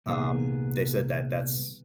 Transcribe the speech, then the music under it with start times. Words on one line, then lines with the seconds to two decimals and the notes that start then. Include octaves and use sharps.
Um, they said that that's
0.06 C2 A#2 D#3 B3 G#4